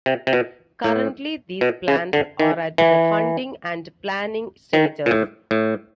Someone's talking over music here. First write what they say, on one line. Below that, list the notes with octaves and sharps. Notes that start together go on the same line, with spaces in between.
Currently these plans are at the funding and planning stages.
C3
C3
B2
A2
B2
C#3
D3
D#3
E3
D#3
A#2
A2
A2